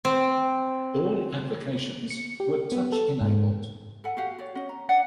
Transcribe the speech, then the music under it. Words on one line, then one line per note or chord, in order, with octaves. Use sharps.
All applications were touch-enabled.
C4
C#7
G4
B3
A4
G#2
A4 E5 F#5 G#5
F#4 G4 F5 F#5
F#4 C#5 D5
C#4 D#5 F#5
A#5
D4 D5 E5 F#5